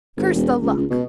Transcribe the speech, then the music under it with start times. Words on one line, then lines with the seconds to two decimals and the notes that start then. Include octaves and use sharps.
Curse the luck!
0.17 G#1
0.34 E1
0.62 C#2
0.77 C#2
0.90 B2